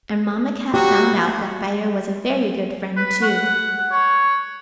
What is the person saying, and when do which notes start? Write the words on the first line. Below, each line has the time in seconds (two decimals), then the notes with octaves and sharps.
And Mamma Cat found out that Fido was a very good friend, too.
0.74 F#3 G3 F#4 G4
2.96 B4
3.22 F#5
3.91 C#5